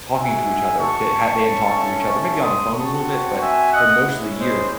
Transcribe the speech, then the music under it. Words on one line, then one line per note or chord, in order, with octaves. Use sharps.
talking to each other that ha they didn't talk to each other maybe on the phone a little bit, but for most of the year
G#3 D#4 F#4 E5 G#5
A5 C#6
A3 C#4 E4
A5 C#6
C6 D#6
C4 F#4 A5 C#6
E5 G#5
D#5 F#5
G#3 C#4 E4
C5 D#5